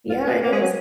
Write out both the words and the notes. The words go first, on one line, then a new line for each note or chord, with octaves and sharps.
Yeah, it is.
F4
B3
A#3
G#3
F#3